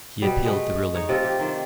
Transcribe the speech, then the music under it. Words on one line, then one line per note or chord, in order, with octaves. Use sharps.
He appealed the ruling.
B2 G3
G#3 A3
D#4 C#5
C3 F4 A4
G4
D#3 C5